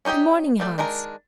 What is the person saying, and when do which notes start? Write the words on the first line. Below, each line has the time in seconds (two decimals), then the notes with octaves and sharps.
'Good morning, Hans.
0.05 C#4 D#4 G4 D#5 G5
0.60 G3 A3 D5
0.78 D#3 G#3 D4 A#4 A#5